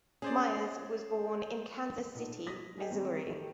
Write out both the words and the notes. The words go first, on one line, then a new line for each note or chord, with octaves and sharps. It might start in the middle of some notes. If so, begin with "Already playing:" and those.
Myers was born in Kansas City, Missouri.
C#4 G#4 C5 D5
B1 A#2
F#3 D#6 A#6 B6
G#4 A#4 D5 D#5 G5 G#5
D#3 G3 G#3 C4 D#4
D#3 A3 G4